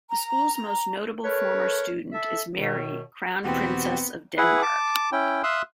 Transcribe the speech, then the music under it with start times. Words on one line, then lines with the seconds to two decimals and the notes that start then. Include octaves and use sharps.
The school's most notable former student is Mary, Crown Princess of Denmark.
0.10 A#5
1.24 A3 A#4 B4 C#5
2.12 A4 E5
2.56 F#2 B2 D#3
3.44 E2 B2 B3 C4 F#4 G4
4.38 E4 G#4 B4 F#5
4.62 A5 D6
5.12 C#4 E4 G5
5.43 E5 F5 C6 D#6 E6 F#6